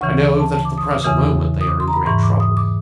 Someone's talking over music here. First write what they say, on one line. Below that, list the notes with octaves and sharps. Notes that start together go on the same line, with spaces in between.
"I know that at the present moment they are in great trouble."
D2 C#3 E3 C#6
A5
A5
D6
D#6
D6
E2 C#3 E3 D#6
D#6
D6
C6
A#5
B5
G#2 E3 C#6
D6
D#6
D6